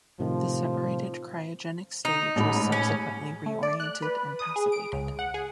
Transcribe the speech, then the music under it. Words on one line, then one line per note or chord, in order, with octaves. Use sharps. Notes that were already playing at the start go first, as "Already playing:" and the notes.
The separated cryogenic stage was subsequently reoriented and passivated.
A2 C3 D#3 F3
D#4
A1 G#2 B5
C#4
A3
D5
F#6
B4
D#6
G#4
D7
C#2
F#5
G#4